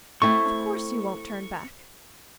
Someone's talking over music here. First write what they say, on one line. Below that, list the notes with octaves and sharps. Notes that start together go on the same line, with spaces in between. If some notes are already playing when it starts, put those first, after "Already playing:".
Of course you won't turn back.
A3 C4 E4 C#6